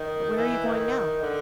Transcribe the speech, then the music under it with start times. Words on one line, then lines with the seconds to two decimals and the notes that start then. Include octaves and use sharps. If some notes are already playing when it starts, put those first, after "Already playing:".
'But where are you going now?
Already playing: D#3
0.36 E3
0.65 D#3
1.21 D3